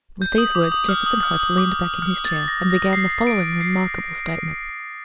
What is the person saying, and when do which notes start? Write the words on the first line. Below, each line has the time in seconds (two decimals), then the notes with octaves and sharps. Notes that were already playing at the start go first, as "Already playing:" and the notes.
With these words, Jefferson Hope leaned back in his chair and began the following remarkable statement.
0.22 G6
0.38 D#6
0.55 D6
0.72 D#6
0.89 F6
1.06 D#6
1.23 F6
1.40 D#6
1.58 D6
2.02 F6
2.25 A6
2.48 A#6
2.70 A#6
2.93 C7
3.27 D7
3.61 C7